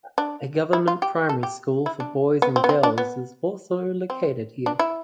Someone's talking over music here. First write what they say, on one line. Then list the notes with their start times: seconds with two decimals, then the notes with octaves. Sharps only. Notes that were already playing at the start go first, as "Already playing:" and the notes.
A government Primary school for boys and girls is also located here.
0.18 D4
0.73 E4
0.88 F4
1.02 G4
1.29 A4
1.43 G4
1.86 E4
2.00 D4
2.42 B3
2.56 C4
2.64 B3
2.69 C4
2.83 D4
2.98 B3
4.10 C4
4.66 D4
4.79 E4